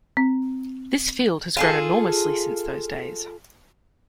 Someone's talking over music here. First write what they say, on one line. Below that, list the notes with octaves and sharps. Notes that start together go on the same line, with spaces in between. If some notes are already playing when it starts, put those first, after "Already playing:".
This field has grown enormously since those days.
C4
F4 G#4 A4